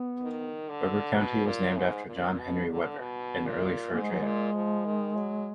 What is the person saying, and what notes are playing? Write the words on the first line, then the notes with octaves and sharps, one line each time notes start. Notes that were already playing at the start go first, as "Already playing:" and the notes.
Weber County was named after John Henry Weber, an early fur trader.
Already playing: B3
D#3
D3
B2
A#2
G#2
A#2
B2
D3
B2
A#2
G#2 A#3
G#3
F#3
A#2 G#3
F3
D#3
F#3